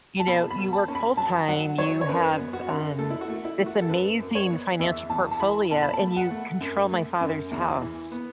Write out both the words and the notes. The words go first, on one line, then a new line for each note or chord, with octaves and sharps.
you know, you work full time, you have, um, this amazing financial portfolio, and you control my father's house.
A5
B2 B5
B5
B2
A5
C#4
B5
F#3 A5
F#3 F#5
F#3 C#5
C#5
F#2 B4
B3
F#4
F#2
A3 A4
E4
F#4
A3
E4
A3
F#4
A4
F#2 B4
F#2
C#5
B3
E2 E5
E2 A5
A5
E3 B5
B2 A5
B5
A5
A3
F#5
A3
F#2
A3
F#2
E2
E3
B3